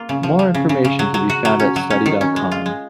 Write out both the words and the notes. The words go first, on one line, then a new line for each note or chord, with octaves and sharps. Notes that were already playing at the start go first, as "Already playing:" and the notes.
More information can be found at Study dot com.
Already playing: A#3 F4
C#3
F3
F3
C#3
C#3
C#3
F#3
F#3
F#4
F#3
C#4
F#3
C#4
D#3
C#4
G#3
F4
G#3